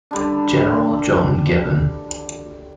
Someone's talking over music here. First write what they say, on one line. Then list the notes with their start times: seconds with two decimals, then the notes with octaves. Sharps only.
General John Gibbon.
0.11 D3 G3 D4